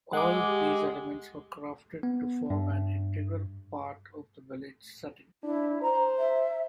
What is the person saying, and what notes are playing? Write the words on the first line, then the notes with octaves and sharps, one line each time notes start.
All these elements were crafted to form an integral part of the village setting.
G#3 F#5 D6
G4
B3
G2
D4 E4
C5 A#5
E5